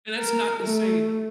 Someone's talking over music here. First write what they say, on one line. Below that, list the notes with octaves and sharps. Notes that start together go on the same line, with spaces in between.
and that's not to say
A#4
A3